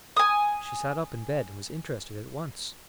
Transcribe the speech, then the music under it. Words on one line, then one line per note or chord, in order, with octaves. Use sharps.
She sat up in bed, and was interested at once.
G#5 D#6